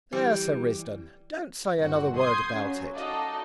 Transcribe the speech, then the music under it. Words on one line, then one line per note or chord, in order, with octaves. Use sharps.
There, Sir Risdon; don't say another word about it.
E3 G3
G1 C4 F#4 F#5
C6 D#6 G6 G#6 C7
C#3 F#3 C#4
D#4 F#4 A4 D5 D#5 F5